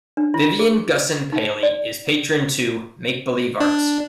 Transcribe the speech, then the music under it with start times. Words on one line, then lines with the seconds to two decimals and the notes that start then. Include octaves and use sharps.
Vivian Gussin Paley is patron to MakeBelieve Arts.
0.17 D4
0.34 E4
0.59 G#4
1.32 D#4
1.63 D5
3.60 D4